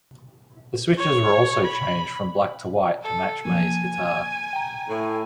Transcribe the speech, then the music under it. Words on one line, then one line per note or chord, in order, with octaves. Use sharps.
The switches were also changed from black to white to match May's guitar.
C#5
B5
A4
F3 A#3 G#5
G5 A#5
A2